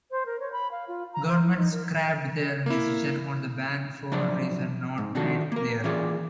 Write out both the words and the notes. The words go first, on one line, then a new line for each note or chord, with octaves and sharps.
Government scrapped their decision on the ban for reasons not made clear.
C5
A#4
C#5
B5
F5
F4
A#5
C5
E4
D#4
A#4
A#3 E4
F3 F#3 D4 C5 D5
G#2
D#3 F3 D4 D#4 F#4 A4
A#3 A#4
E3 A#3 C#4 F4 G#4 D5